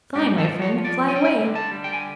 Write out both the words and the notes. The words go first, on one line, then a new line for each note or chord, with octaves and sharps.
Fly, my friend; fly away.
G#2 G4
A4
F3
C#5
F3
D5
G3 G#5
G5
G#5
D3
A5
G3
G5
G#5